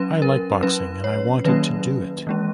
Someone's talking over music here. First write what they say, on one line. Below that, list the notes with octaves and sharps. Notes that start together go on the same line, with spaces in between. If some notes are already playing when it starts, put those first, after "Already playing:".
I like boxing and I wanted to do it.
Already playing: F#3 C#4 B4
A#4
F#3 C#4 B4
C#5
D#3 F#3 A#3 C#4 B4
E3 G#3 C#4